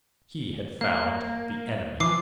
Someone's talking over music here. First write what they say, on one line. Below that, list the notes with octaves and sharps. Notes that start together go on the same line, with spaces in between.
He had found the enemy.
A#3 F5
E3 F3 D6 C7